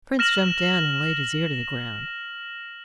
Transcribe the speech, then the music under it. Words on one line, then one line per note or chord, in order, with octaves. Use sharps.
The prince jumped down and laid his ear to the ground.
F6 A#6 E7 F#7